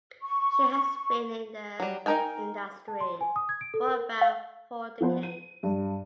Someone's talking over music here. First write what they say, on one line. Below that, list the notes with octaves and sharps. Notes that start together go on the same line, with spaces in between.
She has been in the industry for about four decades.
C#6
F#3 G3
D#4 E4 A#4 G5 G#5
A5
C6
G#5
D#6
G#6
D7
A4
A#4
F5
F3 B3 C5
D#7
G2